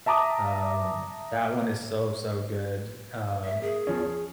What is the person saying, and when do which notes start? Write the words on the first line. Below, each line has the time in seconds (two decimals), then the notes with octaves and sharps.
Um, that one is so, so good, uh,
0.06 E5 A5 A#5 D6 D#6
3.45 E5
3.62 A#3 G#4
3.87 E2 F3 C#4
4.01 C#4